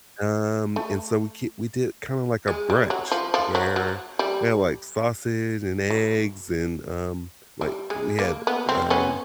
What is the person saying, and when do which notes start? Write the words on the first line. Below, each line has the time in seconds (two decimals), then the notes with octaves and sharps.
um, and so, we k we did it kinda like a brunch, where we had, like, sausage and eggs and, um, like, we had, um,
0.76 A3
2.48 G#3
2.70 G3
2.90 F#3
3.12 F3
3.34 F3
3.55 F#3
3.76 F#3
4.19 G3
5.90 F#3
7.61 G3
7.90 G#3
8.19 A#3
8.47 B3
8.69 C4
8.90 B3 C#4